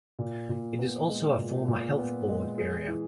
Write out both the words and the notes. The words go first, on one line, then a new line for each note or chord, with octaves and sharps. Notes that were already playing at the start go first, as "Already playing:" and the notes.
It is also a former health board area.
A#2
A#2
B3
G#3
A#2
A#2
B3
G#3
G#4
E3